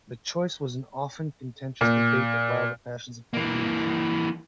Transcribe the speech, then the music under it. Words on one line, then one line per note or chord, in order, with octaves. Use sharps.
The choice was an often contentious debate that riled the passions of party leaders.
A#2
E3 A#3